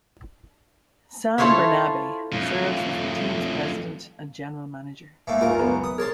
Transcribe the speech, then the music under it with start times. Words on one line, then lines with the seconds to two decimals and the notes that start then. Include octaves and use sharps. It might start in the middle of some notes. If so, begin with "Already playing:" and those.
Sam Bernabe serves as the team's president and general manager.
1.38 E4 F4 A4 C5 C#5 E5
2.33 F2 A2
5.27 G#2 A3 A#3
5.41 C#2 F#2 F4 A#4
5.59 B3
5.84 D#6
5.98 A#4 C#5 A5 C6